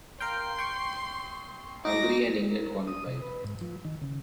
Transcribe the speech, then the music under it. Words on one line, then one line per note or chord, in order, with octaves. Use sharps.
Hungary and England qualified.
A#4 F5 G5 C6
G5 C#6
D#4 F#4 D6 A#6
A#4
D#6
C3
B4
G#2
F3
D#3
C#3